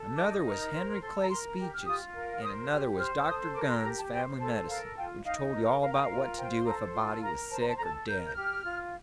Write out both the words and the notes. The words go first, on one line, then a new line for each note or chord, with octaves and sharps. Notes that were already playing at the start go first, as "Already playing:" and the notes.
Another was Henry Clay's Speeches, and another was Dr. Gunn's Family Medicine, which told you all about what to do if a body was sick or dead.
Already playing: A4
D#4 D6
A#4
C5
A4 C6
A#5
A#4 C6
G4
F6
F4 D#6
A#4
C5 D#6
G4 F6
C5 F6
A4 D#6
A#4 D6
C6
G4 A#5
A5
C5 G5
A4 A5
A#4 F5
F4 G5
D#4 F5
A#4 D#5
A#4 F5
G5
F5
F4
C5 G5
C6
A4 A#5
F4 C6
A#4 A#5
C5 A5
A#5
A5
A4 A#5
A5
A#4 G6
G6
G4 F6
F4